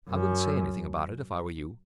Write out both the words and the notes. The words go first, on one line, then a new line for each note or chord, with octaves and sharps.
I wouldn't say anything about it if I were you.
F#2